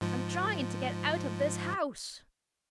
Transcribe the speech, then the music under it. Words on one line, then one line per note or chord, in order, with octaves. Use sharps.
"I'm trying to get out of this house!"
G#2 F3